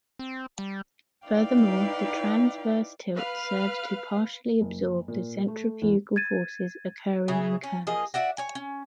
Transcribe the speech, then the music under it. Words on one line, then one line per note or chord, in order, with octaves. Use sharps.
Furthermore, the transverse tilt serves to partially absorb the centrifugal forces occurring in curves.
C4
G3
D#4 E4 B4 D5 F5 G5
B4 F5
F#1
A#2
A3
E2
G#6 A6 D#7
C#3 E3 G#4
C#4
F3 A#3 G#4 D#5
F#4 D5 E5 F#5
C#5 G#5
C#4